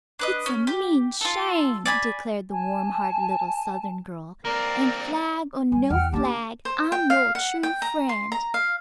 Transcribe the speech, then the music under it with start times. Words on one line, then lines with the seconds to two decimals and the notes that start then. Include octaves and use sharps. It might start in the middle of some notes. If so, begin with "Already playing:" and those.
"It's a mean shame," declared the warm-hearted little southern girl, "and flag or no flag, I'm your true friend."
0.19 D4 B4 D#5
0.46 C#4
0.67 G4
1.21 F4 A4
1.86 D5 G#5 B5
2.51 G#5 A5
4.45 A#3 C4 A#4 D5 A#5
5.72 G3 G#5
5.90 E2 F#5 G5 F6
6.12 D3 A#3 D4 G4 A5
6.65 C5
6.92 G5
7.10 F5
7.35 F#5
7.63 G5
7.82 A#5
8.09 C6
8.32 A#5
8.54 F5